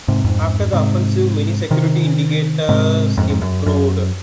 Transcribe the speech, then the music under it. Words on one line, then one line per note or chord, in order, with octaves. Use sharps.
After the offensive, many security indicators improved.
G#2 C3
F2 G#2
G#2 C3
C3 D#3
G#2 C3
F2 G#2
G#2
F#2
F#2